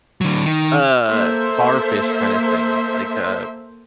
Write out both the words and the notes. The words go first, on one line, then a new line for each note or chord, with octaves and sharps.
uh, bar fish kind of thing, like, uh,
D3 F#3
D#3
A#3 A4 C5 E5